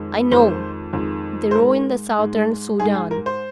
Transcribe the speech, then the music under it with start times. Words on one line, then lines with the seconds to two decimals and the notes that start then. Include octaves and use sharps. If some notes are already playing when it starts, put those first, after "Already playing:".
'I know--the row in the Southern Soudan.
Already playing: F2 D#3 G#3
0.31 F2 D#3 G#3 C5
0.93 F2 D#3 G#3
1.51 C5
1.55 G#2 G#3 A#4
2.18 G#2 G#3
2.80 G#2 G#3 G#4
2.95 G#4
3.11 A#4
3.26 C5